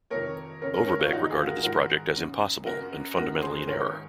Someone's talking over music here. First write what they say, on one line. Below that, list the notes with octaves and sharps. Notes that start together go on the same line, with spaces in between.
Overbeck regarded this project as impossible and fundamentally in error.
F2 C3 D#3 A#4 C#5
F2 C#3 A#4 C#5
A#4 C#5
A#4 C#5
C#4 F4
G#2 D#3 D#4 F#4
F4 G#4
F#4 A#4
G#2 D#3 F#4 A#4
F#2 C#3
F#2 C#3 F#4 A#4
F#2 D#3 F#4 A#4
G#4 C5
G#2 D#3 A#4 C#5